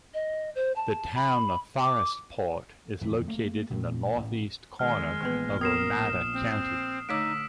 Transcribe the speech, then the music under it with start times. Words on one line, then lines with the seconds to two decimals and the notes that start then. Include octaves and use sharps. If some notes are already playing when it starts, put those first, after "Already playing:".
The Town of Forestport is located in the northeast corner of Oneida County.
0.14 D#5
0.55 C5
0.76 A5
1.15 B5
1.82 D6
3.01 D#1 F2 G#2 E3
3.28 A3 A#3
3.70 A1 D2 A#2 A3
4.17 A1 A2
4.79 D#3 G#3 F6
5.21 A#1 E3 B3 B4 F6
5.61 B3 A#4 D#6 C7 E7
6.33 C4
7.09 D3 A3 D#4 C#5 D6 E6 B6 D7